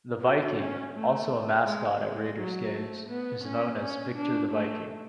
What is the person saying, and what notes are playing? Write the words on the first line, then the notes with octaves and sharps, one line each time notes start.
The Viking, also a mascot at Raiders' games, is known as Victor the Viking.
F#4
C#4
A3
G#3
G#3
F#3
A3
B3
C#4
C#4
D4
A3